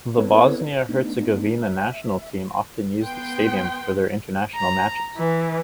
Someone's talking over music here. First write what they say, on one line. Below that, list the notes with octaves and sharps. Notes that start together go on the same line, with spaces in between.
The Bosnia-Herzegovina national team often use the stadium for their international matches.
B3 C4 E4 A4 B4 C#5
A3 B3 D4 D#4
E5
B3 G5 C6
A#5
E3